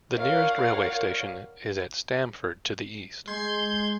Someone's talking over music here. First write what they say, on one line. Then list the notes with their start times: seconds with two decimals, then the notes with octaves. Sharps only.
The nearest railway station is at Stamford to the east.
0.15 F4 A#4 C#5 D5 F5 F#5
3.28 G#3 C6 G6 G#6